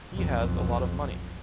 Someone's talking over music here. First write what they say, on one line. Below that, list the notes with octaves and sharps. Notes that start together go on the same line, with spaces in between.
He has a lot of money.
B1 F2